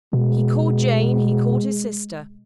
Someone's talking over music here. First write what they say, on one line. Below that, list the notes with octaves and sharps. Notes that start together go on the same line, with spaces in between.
He called Jane; he called his sister.
B2 G#3